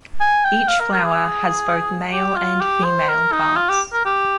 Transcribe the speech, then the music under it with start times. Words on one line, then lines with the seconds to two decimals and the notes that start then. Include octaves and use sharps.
Each flower has both male and female parts.
0.20 G#5
0.44 G5
0.68 F5
0.80 A#4
0.93 A#4
1.04 G#4
2.13 G4
2.36 F4
2.60 G4
2.84 C5
3.09 A#4
3.32 D#4
3.56 F4
3.69 G4
3.93 A#4
4.05 G4